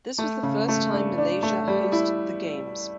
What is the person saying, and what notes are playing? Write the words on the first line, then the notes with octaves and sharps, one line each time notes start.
This was the first time Malaysia host the games.
A3
C#3
A3
D4
D4
A3
G3
E4